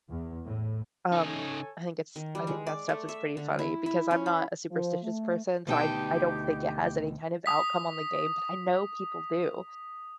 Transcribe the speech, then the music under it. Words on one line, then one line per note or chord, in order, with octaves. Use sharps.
Um, I think it's I think that stuff is pretty funny because I'm not a superstitious person so I n I don't think it has any kind of outcome on the game but I know people do.
E2
A2
C#3 D#4 A4 C#5 G#5
D#3
G3
G#3
D5
A3
E5
D3
E4
E4
C#4
B5
F3
A3
D2 B2 D#4 G4 G5 A5
D#6 B6